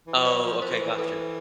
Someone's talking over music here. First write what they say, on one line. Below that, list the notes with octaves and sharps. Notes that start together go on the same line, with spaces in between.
Oh, okay. Gotcha.
E3
F3
F#3 C5 D5
F3
F3 A#4 C5
E3
A4 B4